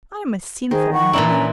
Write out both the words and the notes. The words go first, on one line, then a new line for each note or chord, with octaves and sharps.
I am a sinful man.
D#3 G#4 C5
F#5 C#6
A#2 E3 D4 E4 D5 A#5
C#4